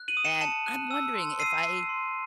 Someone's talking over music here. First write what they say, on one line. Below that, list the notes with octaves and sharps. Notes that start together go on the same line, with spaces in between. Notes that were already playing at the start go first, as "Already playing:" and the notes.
and I'm wondering if I
Already playing: F#6
D#7 F#7
D#6
C#7 E7
A5 C#7 E7
F#6
E6
C6
E6 C7 D#7
E6
C6